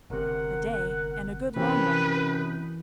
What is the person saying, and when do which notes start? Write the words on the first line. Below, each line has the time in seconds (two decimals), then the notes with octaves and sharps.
"A day, and a good long one."
0.10 G1 C3 A#4 F#5
1.56 F#2 C3 E3 C4 C#4 D#4 B4